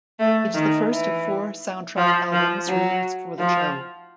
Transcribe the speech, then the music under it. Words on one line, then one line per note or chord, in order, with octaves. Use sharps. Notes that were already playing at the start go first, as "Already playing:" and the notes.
It is the first of four soundtrack albums released for the show.
A3
D#3
E3
F3
F3
F#3
F3